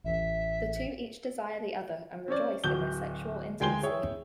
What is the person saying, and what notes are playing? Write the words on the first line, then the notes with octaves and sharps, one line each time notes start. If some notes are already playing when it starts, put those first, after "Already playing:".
The two each desire the other and rejoice in their sexual intimacy.
A1 E5
C4 C#4 C#5 D5
D1 F#4 G6 G7
D2 G#3 G5 G#5 C6 G7
E4 G#4 C#5 G5